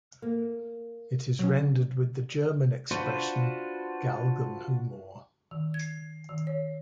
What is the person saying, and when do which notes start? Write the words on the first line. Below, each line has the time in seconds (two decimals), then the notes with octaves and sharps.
It is rendered with the German expression "Galgenhumor".
0.22 A#3
1.39 F#3 C#4
2.91 D4 F4 F#4 B4 C5
5.51 D#3
5.74 G#6
6.29 D#3
6.47 C#5